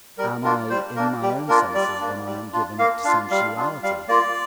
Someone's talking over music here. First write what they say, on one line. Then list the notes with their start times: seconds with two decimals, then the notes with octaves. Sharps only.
Am I in my own senses when I am given up to sensuality?
0.18 G3 A#4
0.44 A#3 D4 F4 A#4
0.70 G3 C5
0.96 A#3 D4 A#4
1.22 G3 G4
1.48 A#3 D4 F4 A#4
1.74 G3 D5
2.00 A#3 D4
2.26 G3
2.53 D4 F4
2.79 A#3 F5
3.04 D4 F5
3.08 F4
3.31 G3 F5
3.57 D4 F4
3.82 G3 F5
4.08 A#3 F4 D5